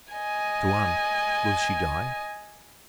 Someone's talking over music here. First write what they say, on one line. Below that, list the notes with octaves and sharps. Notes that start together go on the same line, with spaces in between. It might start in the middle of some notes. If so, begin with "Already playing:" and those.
"Tuan, will she die?"
D#5 G#5